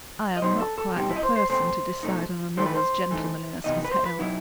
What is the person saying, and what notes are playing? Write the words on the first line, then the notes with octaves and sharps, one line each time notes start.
'I am not quite the person to decide on another's gentlemanliness, Miss Hale.
D#5
B2 F#3 B3 D#4 C5
A4
A4
B2 G3 C4 D#4 G4
E4
D#5
C5
C5
B2 A3 C4 C5
B2 A3 D#4
D#3 A3 D#4 C5
B4
C5
E3 A3 D#4
C3 E3 B3 D#4 D#5
B4
C5
B4
B2 F#3 B3 D#4 E4